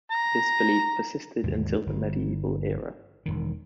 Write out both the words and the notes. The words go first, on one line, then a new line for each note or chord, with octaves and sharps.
This belief persisted until the Medieval era.
A#5
D#2 G#2 B2 D3
G1
E1 B1 D#3